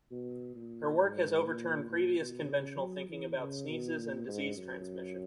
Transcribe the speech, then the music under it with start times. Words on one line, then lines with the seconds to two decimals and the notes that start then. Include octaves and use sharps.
Her work has overturned previous conventional thinking about sneezes and disease transmission.
0.11 B2
0.55 A#2
1.00 G#2
1.45 A#2
1.90 A#2
2.19 B2
2.49 C#3
2.78 F#3
3.09 E3
3.39 C#3
3.69 B2
3.98 A#2
4.28 G#2
4.57 F#2